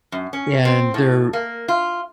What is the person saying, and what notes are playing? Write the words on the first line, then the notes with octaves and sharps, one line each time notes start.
and they're
F#2
C#4
C4
A2
A#3
F4